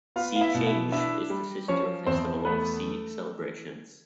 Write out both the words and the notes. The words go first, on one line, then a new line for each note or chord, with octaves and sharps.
See Change is the sister festival of See Celebrations.
B3 F4 F5
F5
E4 E5
B2
E4 E5
D4 E4 E5
G3
F3 C#4 C#5
E2 C4 C5
A3 B3 B4